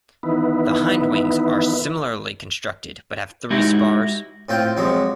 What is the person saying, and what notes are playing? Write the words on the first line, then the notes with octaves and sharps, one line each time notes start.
The hindwings are similarly constructed, but have three spars.
D#3 E3 B3 D#4 E4 B4
G#3 D#4 E4 F#4 G4
A2 C4 F4 G5
F2 C3 F#3 G#3